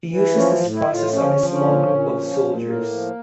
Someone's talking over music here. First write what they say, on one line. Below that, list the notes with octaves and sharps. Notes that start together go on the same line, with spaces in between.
He uses this process on his small group of soldiers.
E3
F3 C#4
A2
E4
A2
F4
F3 C#4
F3
C#4
A#2
A#2
F3
A#2
A2 A#3
F3